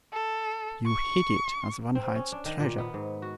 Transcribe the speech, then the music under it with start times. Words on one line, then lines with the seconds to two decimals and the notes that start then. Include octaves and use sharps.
You hid it as one hides treasure.
0.13 A4
0.86 C#6
1.95 C4
2.16 C#4
2.32 D4
2.45 D#3
2.60 A#2
2.78 B3
2.94 G#2
3.22 F#4